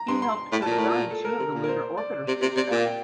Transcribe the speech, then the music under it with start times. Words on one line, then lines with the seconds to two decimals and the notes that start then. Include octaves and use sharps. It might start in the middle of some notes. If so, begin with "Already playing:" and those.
He helped co-design two of the Lunar Orbiter spacecraft.
Already playing: A#5
0.08 G2 C6
0.22 C6
0.52 A2
0.62 A#2 A5
0.72 A#4
0.78 A2
0.89 A#2
1.11 A4
1.25 A#4
1.39 C3
1.54 A#2
1.64 A#4
1.69 C5
1.97 D5
2.28 C3
2.42 C3
2.56 C3 D5
2.71 A#2
2.79 F5
2.85 G5